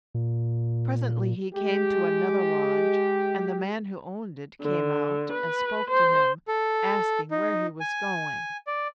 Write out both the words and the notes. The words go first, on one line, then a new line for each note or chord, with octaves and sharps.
Presently he came to another lodge, and the man who owned it came out and spoke to him, asking where he was going.
A#2
G#3 G4
D3
B4
C5
A4
D#4
G#5
D5